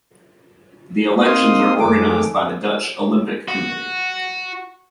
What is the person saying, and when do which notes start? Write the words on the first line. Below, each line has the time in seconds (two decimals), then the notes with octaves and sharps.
The elections are organized by the Dutch Olympic Committee.
1.24 A#3 C4 D#4 F5 C6 D#6
1.80 F#2 D#3 A3 G#4 A4 D6
3.48 F#4